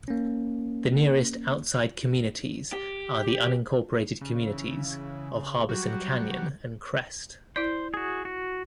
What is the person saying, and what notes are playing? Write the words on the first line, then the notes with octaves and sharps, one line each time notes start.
The nearest outside communities are the unincorporated communities of Harbison Canyon and Crest.
A#3 C#4
G4
C#3
E3
F#3 G3 F#4
E4 C5 D5
F#4 G#4
F#4